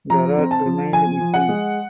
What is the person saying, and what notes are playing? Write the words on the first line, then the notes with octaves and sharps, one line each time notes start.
Garat remained missing.
F3 A#5
C4
A5
F3
F3 G#5
F3
F#5
G#3